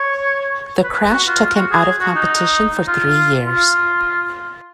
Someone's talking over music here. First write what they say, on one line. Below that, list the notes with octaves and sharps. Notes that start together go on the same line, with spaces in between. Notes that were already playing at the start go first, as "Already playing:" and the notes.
The crash took him out of competition for three years.
Already playing: C#5
B4
F#4
F4
F4
F#4
G#4
F#4
D#4
F4
F4